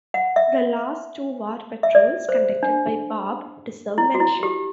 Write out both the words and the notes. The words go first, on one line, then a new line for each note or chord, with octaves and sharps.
The last two war patrols conducted by "Barb" deserve mention.
F#5
E5
E5
D5
C5
D4
E4
F#4
E4
G4